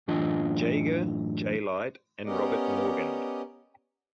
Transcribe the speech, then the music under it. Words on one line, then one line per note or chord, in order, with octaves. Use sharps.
Jaeger, Jay Light, and Robert Morgan.
F#2 A2 E3 D4 F4 D#5
B3 C#4 G4 A#4 D5 D#5